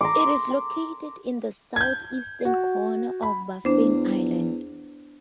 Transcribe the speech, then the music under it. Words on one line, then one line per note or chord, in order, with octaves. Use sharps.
It is located in the southeastern corner of Baffin Island.
A#5 C6 D6
G6 G#6
F#4
B5
E2 D4 C5